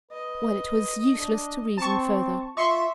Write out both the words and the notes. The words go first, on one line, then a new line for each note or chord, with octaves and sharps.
Well, it was useless to reason further.
B4 D#5
D4
C4 A5 C#6
F4 E5 C6 C#6